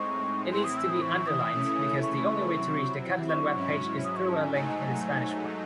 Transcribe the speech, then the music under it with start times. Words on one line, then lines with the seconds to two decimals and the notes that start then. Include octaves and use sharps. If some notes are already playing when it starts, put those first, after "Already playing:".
It needs to be underlined, because the only way to reach the Catalan webpage is through a link in the Spanish one.
Already playing: A2 G#3 C4 D#4 C#6
0.52 A2 E3 C4 E4 C6
0.64 D#6
0.77 E6
0.90 D#6
1.02 C#6
1.28 D#6
1.52 C#3 E3 A3 C#4 E4
2.03 C#6
2.53 C3 F#3 C4 E4
3.29 C#6
3.54 G#2 F#3 C#4 E4
4.04 D#6
4.16 C#6
4.29 A5
4.42 G#5
4.54 G#2 F#3 A3 D#4 G#5